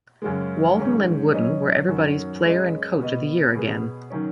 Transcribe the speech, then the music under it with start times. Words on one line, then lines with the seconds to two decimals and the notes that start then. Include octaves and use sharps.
Walton and Wooden were everybody's Player and Coach of the Year again.
0.22 F#2 C#3 G#3
0.77 G#2 D#3 F#3 C#4
1.33 F#3 C#4 B4 D#5
1.89 F#2 D#3 F#3 C#4 F#4
2.44 G#3 C#4 B4 D#5
2.99 B2 B3 F#4 B4 D#5
3.55 B2 B3 G#4 B4
4.10 D#3 F#3 C#4